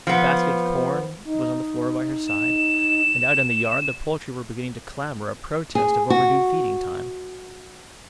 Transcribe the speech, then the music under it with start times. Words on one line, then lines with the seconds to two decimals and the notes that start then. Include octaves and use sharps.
A basket of corn was on the floor by her side, and out in the yard the poultry were beginning to clamour a protest of overdue feeding-time.
0.07 F3 B3
1.25 D#4
2.28 E7
5.75 G#4
6.10 F#4